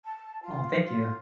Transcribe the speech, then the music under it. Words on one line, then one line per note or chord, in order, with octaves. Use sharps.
Oh, thank you.
A5
F4
F4